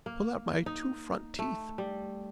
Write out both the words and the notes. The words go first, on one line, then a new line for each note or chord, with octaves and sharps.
Pull out my two front teeth!
A#3
D#4
A3
G3